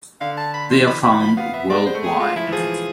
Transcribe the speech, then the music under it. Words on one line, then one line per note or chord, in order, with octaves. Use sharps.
They are found worldwide.
D3 F5
A5
B5
E3 C6
B5
B5
F3 B5
B3 F5
B3 E5
G#3 D5
C5
A3
G#4
G#3 F4
F3 E4
E3
F3 G#4